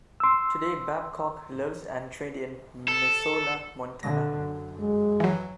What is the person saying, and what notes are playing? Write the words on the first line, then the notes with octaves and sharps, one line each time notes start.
Today Babcock lives and trained in Missoula, Montana.
C6 E6
A4
A#2 D3 A#6
F#2
G#3
E3 F#3